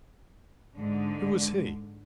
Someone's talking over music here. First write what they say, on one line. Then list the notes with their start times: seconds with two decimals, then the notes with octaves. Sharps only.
"Who was he?"
0.75 G#2 D3